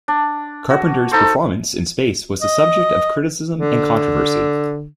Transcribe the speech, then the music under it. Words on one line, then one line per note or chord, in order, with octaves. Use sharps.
Carpenter's performance in space was the subject of criticism and controversy.
D4
F#4
D#4 A4 C5
D#5
D3